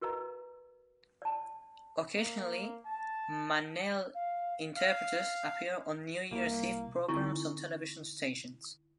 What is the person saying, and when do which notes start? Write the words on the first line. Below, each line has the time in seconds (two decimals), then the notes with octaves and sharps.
Occasionally, manele interpreters appear on New Year's Eve programs on television stations.
0.01 F#4 A#4 B4 D#5 A#5
1.22 D5 A5
2.16 A#3
2.85 A5
4.14 F5
4.76 F5
6.31 C2 A#3
7.08 D3 C4 D#4 E4 C#6